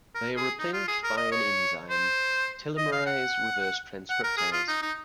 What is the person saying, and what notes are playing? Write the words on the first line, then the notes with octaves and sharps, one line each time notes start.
They are replenished by an enzyme, telomerase reverse transcriptase.
A#4
G#4
D#4
F4
G#4
A#4
D#5
C#5
C5
D#5
F5
F#5
F#5
A#4
G#4
F4
D#4
D#4